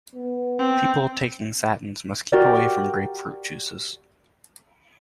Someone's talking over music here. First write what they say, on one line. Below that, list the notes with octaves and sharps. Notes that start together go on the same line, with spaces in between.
People taking statins must keep away from grapefruit juices.
B3
C4
F#4 G4 A#4 D5